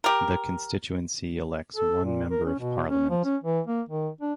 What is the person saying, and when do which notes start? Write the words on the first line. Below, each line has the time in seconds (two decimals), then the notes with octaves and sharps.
The constituency elects one Member of Parliament.
0.04 G4 A#4
1.76 A4
2.04 A#2
2.31 A#4
2.46 C#4
2.59 B2
2.90 C#4
3.10 F3
3.25 C#4
3.44 E3
3.67 A#3
3.89 D#3
4.21 D4